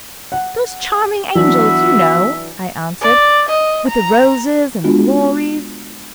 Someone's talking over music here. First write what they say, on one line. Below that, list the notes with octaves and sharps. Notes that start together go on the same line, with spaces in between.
'Those charming angels, you know,' I answered. 'With the roses and the glories!'
F#5
E3 F#3 B3 D4 F#4 E5
D5
D#5
A#5
G#3 B3 D4 F4 F#4